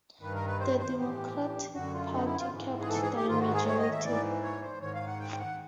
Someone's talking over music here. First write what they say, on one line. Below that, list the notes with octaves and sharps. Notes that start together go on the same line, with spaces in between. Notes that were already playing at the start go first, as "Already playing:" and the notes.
The Democratic Party kept their majority.
G2 D#3 B4
A#4
B4
C5
C5
A2 E3 G4
F#2 D3 F#4
F4
D#4
E4
F4
G#2 E3
G#4
A4
G#4
G4
G#2 D#3 F4
F#4
G#4
C#5
D#5
E5
G#2 E3 D5
C#5
C5
G#2 D#3 C#5
F5
F#5
G5
G5
F#5